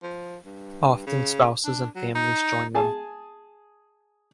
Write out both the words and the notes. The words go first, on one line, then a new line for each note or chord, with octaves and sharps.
Often spouses and families join them.
F3
G2
C#3
D4
F#3
D#4
G#4 G#5 A5